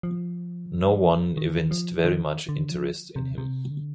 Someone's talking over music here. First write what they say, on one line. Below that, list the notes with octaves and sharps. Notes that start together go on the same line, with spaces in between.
No one evinced very much interest in him.
F3
D#3
F3
D#3
D3
F3
C3
C3
D3